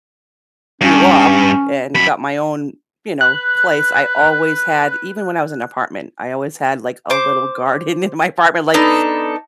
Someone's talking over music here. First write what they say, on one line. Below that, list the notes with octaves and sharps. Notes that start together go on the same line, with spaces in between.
grew up and got my own, you know, place, I always had even when I was in apartment, I always had, like, a little garden in my apartment. Like,
G2 C#4
F#2 B5
B4 F#6
C5 D6
B3 D4 D#4 A4